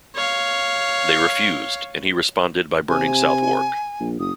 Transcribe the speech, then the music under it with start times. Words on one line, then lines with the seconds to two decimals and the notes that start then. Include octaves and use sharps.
They refused, and he responded by burning Southwark.
0.15 C#5 F5
2.89 C3 G#5
4.00 A#1
4.20 F#1 D#6